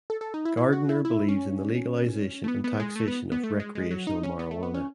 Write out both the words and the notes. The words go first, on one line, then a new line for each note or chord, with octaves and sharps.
Gardiner believes in the legalization and taxation of recreational marijuana.
A4
A4
D#4
E4
E4
F#4
E4
E4
C#4
A3
B3
B3
G#3
A3
B3
B3
A3
G#3
G#3
F#3
D#4
C#4
B3
A3
B3
C#4